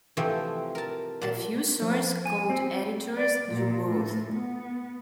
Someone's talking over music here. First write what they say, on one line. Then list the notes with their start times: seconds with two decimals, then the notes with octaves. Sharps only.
A few source code editors do both.
0.17 C3 E3 F3 A3 C4
0.75 A#4 A5
1.22 A#2 A5
1.82 F3
2.25 G#5
2.50 C4
3.16 D5
3.49 A#2
3.88 A2
4.33 B3